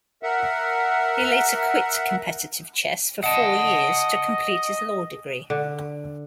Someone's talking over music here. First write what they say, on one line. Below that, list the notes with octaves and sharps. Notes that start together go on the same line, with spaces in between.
He later quit competitive chess for four years to complete his law degree.
A#4 E5 F#5
D#5 F#5 A5
D3